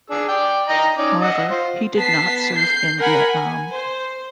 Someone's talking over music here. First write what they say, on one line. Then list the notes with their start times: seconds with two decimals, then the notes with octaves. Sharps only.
However, he did not serve in Vietnam.
0.10 D4 G#4 E6
0.28 D5 G5
0.69 D#5 G5 A#5
0.98 C#4 D#4 D5
1.21 D#5 F#5 E6
1.51 F4 C5
1.95 B3 A5 B6 C7
2.56 G6 C7
2.99 A#4 F#5 G#5 B5
3.28 G#5
3.74 C5